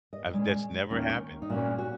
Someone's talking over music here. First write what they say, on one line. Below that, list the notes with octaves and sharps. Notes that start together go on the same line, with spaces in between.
I've That's never happened.
D#5
A#2 G#3 C#4
D#2 D#3 A#3 C#4
D#4
A#2 A#3 C#4 F#4
F#4